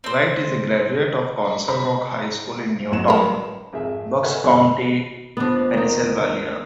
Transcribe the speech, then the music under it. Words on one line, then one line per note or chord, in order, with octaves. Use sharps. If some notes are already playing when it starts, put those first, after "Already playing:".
Wright is a graduate of Council Rock High School in Newtown, Bucks County, Pennsylvania.
C4 C5
C5 A#5 B5
A1 F#3 E7
A#4 B4
G#1 F2 G#4 E5
A4 B4 D#5 E5 F#5 G#5
F#2 D3 F3 G3 B3 C4
D#2 F3 B3 D4
D#3 D#4